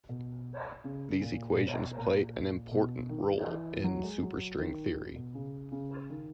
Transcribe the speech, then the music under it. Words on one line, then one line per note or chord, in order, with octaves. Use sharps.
These equations play an important role in superstring theory.
B2
C#3
A#2
A#2
B2
A#2
B2
D#3
E3
F#3
G#3
F#3
D#3
B2
C#3
C#3
D#3